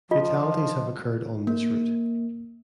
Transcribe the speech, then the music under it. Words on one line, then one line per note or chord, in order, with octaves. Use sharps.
Fatalities have occurred on this route.
F3 F4 D#5
A#3